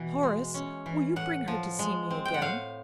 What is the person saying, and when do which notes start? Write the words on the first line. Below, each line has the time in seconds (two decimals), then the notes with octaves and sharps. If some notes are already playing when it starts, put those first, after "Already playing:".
"Horace, will you bring her to see me again?"
Already playing: B2 E3
0.23 G#3
0.54 C#4
0.86 E3
1.16 A2 F#5
1.48 F3
1.79 G#3
2.10 C4
2.25 G5
2.34 F#5
2.41 A2 F5